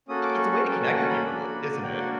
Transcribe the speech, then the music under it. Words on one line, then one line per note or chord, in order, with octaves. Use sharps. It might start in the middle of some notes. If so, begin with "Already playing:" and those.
i it's a way to connect to people, isn't it?
A#3 C#4 F#4 A4 D#6
D6
C#6
C#6
A#3 C#4 F#4 A4 G5
G5
C#6
B5
A#3 D4 F#4
A#3 D4 F#4 G5
F#5